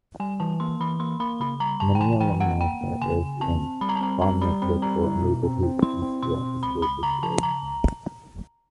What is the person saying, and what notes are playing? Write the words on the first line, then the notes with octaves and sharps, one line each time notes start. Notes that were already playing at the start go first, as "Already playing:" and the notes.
Many alumni served in prominent political and legal positions throughout the school's history.
G3 G#5
E3 A5
A#3 C6
E3 B5
A#3 C6
A#3 B5
C#3 B5
G3 A#5
C#3 A5
G5
E3 G#5
E3 G5
A#3 F#5
A#3 G5
A#3
C#3 G#5
C#3
C4 A5
C4
G3 B5
A#5
A5
C4 A#5
G3 A#5
G3 B5
C4 B5
G3 A#5
E4
B2
C4
C4
E4 C6
C4
B2 C6
C4
C#2 B5
C#2 B5
C#3 A#5
F3 A5
C#3 A#5
C#2